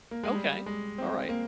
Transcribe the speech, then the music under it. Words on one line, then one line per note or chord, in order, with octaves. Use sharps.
Okay. Alright.
A#3
G#3
G3
G#3
C4
A#3